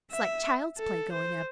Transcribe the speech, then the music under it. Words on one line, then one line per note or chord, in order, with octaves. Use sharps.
It's like child's play going up.
E5
A4
C5